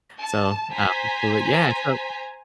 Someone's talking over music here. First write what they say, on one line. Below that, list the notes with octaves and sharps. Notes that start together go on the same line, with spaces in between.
So, uh well, yeah, so
A5
C5 G#5 A#5 B6